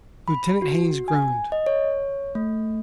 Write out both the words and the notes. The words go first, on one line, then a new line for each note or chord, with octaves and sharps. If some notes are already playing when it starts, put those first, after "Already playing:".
Lieutenant Haines groaned.
B5
F#4
G#5
D#5
C#5
A3